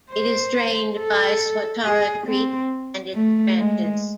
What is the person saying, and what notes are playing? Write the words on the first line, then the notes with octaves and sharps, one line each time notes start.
It is drained by Swatara Creek and its branches.
C5
A4
G#4
C4
A3
G#3